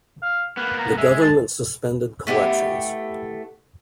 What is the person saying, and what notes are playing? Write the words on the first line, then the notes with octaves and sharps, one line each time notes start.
The government suspended collections.
F5
A#3 B3 B4
A#5
G#3 E5
A5
A3 B3 E4 G4